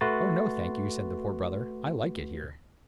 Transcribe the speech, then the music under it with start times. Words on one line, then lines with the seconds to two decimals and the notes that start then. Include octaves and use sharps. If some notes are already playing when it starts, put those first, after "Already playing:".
"Oh no, thank you," said the Poor Brother, "I like it here."
0.01 A3 F#4 B4 C6 A6